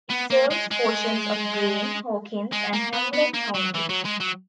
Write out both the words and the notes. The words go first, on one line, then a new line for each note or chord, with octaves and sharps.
It serves portions of Greene, Hawkins and Hamblen counties.
B3
A#3
G#3
G#3
G#3
A#3
B3
B3
A#3
F#3
E3
F#3
G#3
F#3